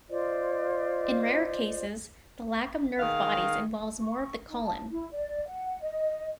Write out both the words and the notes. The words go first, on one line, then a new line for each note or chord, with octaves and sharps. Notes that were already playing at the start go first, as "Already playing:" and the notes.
In rare cases, the lack of nerve bodies involves more of the colon.
F4 C5 D5 D#5
D#3 G#4 F5
C#6
D#4
A5
E4
D5
F#5
D#5